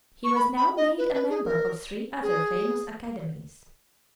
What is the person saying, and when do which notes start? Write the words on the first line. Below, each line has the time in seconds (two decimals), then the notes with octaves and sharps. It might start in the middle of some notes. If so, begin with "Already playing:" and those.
He was now made a member of three other famous academies.
0.24 C#6
0.35 B5
0.57 B5
0.77 D#5
0.98 B4
1.14 B4
1.30 G#4
1.45 A#4
2.22 G#4